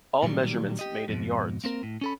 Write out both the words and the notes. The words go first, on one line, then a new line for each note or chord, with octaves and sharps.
All measurements made in yards.
A#2 D#3 F#3 G3
G4 D#5
F2 G#2 B2
A#3 C4 A#4
A2
C#4 A4 B5